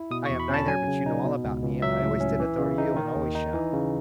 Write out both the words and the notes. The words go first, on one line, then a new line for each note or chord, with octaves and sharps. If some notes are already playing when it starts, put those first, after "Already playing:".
I am neither; but you know all about me, and I always did adore you and always shall.
Already playing: E4
B2 D#6
C#6
E2
B5
C#4 A5
F#3 G#5
C#3
D#4
B2
C#2
C#2
F#3 E5
A2
C#4
E3
C#3
D#4
D#3
D#2
D#4
E3
C#3